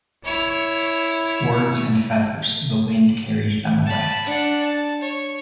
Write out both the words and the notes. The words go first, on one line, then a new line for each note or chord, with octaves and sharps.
Words and feathers, the wind carries them away.
E4 C#5
A5 B5
D4 F#5
A5
C#5